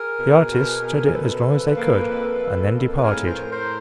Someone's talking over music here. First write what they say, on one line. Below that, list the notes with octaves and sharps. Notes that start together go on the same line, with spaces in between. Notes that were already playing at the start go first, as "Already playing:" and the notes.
The artists stood it as long as they could, and then departed.
Already playing: G#4 A#4
B2
B2
B2
C#3 A4 B4
F3
A#3
F2
A#3
F2
B4
A2 G#4 A#4
A#4 C5
A2
A#4 C5